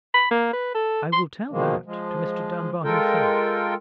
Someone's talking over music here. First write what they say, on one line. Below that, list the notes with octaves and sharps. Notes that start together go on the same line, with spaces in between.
"I will tell that to Mr. Dunbar himself."
B5
A#3
B4
A4
C6
B2 D#3 F3 G#3 A#3
F3 G#3
G#3 F4 A4 A#4 G5